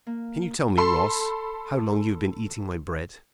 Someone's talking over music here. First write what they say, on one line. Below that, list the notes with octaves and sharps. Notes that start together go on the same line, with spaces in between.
"Can you tell me, Ross, how long you have been eating my bread?"
A#3
A4 B5 C6